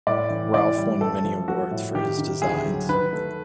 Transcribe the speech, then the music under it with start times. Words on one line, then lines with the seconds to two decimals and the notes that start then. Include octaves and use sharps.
Ralph won many awards for his designs.
0.07 A2 D5
0.30 E3
0.54 E3 D5
0.78 G3
1.01 A3 A4
1.25 F3
1.48 A3 F#4
1.71 A2
1.95 D#3 G4
2.19 D#3
2.42 D2 G#4
2.66 F#3
2.89 D#3 B4
3.13 A3